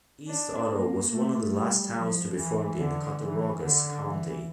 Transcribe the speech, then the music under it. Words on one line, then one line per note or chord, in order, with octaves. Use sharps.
East Otto was one of the last towns to be formed in Cattaraugus County.
D4
A#3
A3
G3
F3
E3
D3
E3
D3
E3